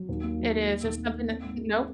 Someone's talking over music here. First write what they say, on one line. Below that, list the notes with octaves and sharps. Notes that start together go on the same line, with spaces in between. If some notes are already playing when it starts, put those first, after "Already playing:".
It is, it's something that nope.
Already playing: F#3
D#2
A#3
F#3
A#3
A#3
D#2
A#3
A#3
C4
G#2
G#3
C4